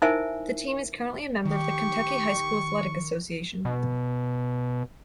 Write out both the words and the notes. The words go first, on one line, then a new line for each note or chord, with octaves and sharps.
The team is currently a member of the Kentucky High School Athletic Association.
D#4 E4 A#4 C5 E5 G#5
D#3 G4 C#6
B2